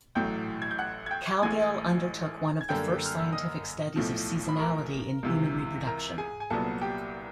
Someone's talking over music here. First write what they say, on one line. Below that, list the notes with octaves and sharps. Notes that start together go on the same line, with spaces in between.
Cowgill undertook one of the first scientific studies of seasonality in human reproduction.
A1 A2 F#3 G5 G6
G#6
G6
F#5 F#6
G#6
G5 G6
A1 A2 E3 G#3 G#5 G#6
G#6
F#2 D3 G3 A#3 G5 G6
F6
E6
D#5 D#6
B1 A2 F3
B5
A#4 A#5
C#2 C3 E3
A#4 A#5
G#4 G#5
G#5
C2 A#2 F#3 B3 A4 A5
G4 G5